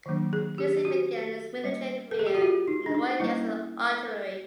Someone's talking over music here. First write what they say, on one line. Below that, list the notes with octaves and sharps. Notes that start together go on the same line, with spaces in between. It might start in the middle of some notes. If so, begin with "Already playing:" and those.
Creasy began his military career in the Royal Garrison Artillery.
D#3 F#3 A#3 D4
G#4
G4
F#4
G3 A#3 C#4
A4
G#4
G4
F#4
F4
D#4
D4
D#4
G3 A#3 C#4 E4